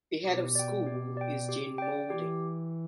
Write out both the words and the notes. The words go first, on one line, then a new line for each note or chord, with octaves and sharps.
The Head of School is Jane Moulding.
B2 G4
D5 G5
G4
D5 G5
G4
D5 G5
E3 G4